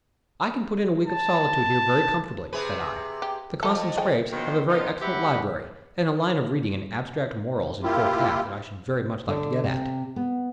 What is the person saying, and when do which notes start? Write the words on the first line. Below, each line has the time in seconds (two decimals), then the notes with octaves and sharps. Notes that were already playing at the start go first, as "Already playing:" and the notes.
"I can put in a week of solitude here very comfortably," said I. "The Constant-Scrappes have a very excellent library and a line of reading in Abstract Morals in full calf that I should very much like to get at."
1.07 A5
2.53 C3 G#4 B4
3.22 G4
3.63 F2 F3 A4
3.98 G#4 G5
4.33 B2 D3 D#3 F3 C5 G5
4.69 D#3 B3 D#4 F4
5.01 F#2 F#3 G4 E5 F#5 B5
7.83 A#3 E4 F4 G4
9.28 D3
9.64 C3
10.16 B3